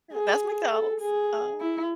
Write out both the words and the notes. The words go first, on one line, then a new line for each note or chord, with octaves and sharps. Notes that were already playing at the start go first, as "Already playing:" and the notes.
that's McDonald's, uh-huh.
G#4
A4
G#4
E4